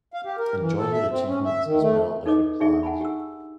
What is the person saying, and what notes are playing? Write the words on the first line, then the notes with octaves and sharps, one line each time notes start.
Enjoy your achievements as well as your plans.
F5
G4
A#4
E3
A4
E5
C4
C#4
E5
D#3
A3
D#4 A4 B4 C#5 D#5 D6
D4 D#4 G4 G#4 D5 E5
F#5 G#5 A5 B5
G4 E6